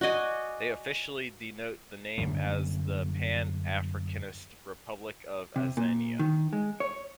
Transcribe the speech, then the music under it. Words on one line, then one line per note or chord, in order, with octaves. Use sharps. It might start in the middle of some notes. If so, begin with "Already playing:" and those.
They officially denote the name as the "Pan-Africanist Republic of Azania".
F#4 D5 D#5 G#5
F#2 D3 G3 A#3
C3
A#2
D#3
G#3
C#5